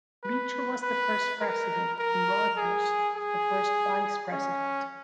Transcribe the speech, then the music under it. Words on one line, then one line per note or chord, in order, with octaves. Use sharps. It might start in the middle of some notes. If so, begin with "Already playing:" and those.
Beecher was the first president and Rogers the first vice-president.
B4
B4
A#4
A#4
G#4
G#4
C#4